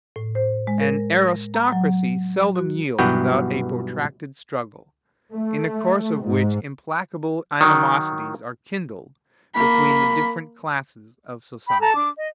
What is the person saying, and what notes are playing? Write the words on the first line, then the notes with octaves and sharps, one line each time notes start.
An aristocracy seldom yields without a protracted struggle, in the course of which implacable animosities are kindled between the different classes of society.
A2
C5
G#3
A#4
A#6
A#5
F#3
F#4
B1 G2 E3 B3 F#4 G5
A3
G#2
D#3 F#3
A#3 B5
G5 B5
A4 A5 A#5
D4 D6
D#5